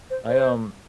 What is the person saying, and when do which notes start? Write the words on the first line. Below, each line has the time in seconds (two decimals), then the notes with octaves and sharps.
I, um
0.10 C5
0.28 C5